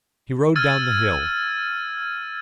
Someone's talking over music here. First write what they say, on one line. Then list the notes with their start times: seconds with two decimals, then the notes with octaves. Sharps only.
He rode down the hill.
0.56 E6 F6 G#6 A6 D#7